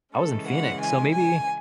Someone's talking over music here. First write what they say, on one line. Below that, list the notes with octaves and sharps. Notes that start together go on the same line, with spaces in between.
I was in Phoenix. So maybe
C#3 E3 G#3 C#4 A4
F#5
G#5
G#5